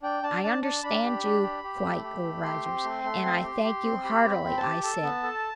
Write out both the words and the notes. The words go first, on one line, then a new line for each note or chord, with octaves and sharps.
"I understand you quite, Old Rogers, and I thank you heartily," I said.
D4 G5
D4 A5
D4 A5
D4 A5
D4 B5
G4
D4
G4
G4
A3
G4
A3
G4 C6
C4
A3
A3
C4
G4
G4
C4
G4 B5
C4
B5
C4
G5
A5
G4
A4 A5
B3
A4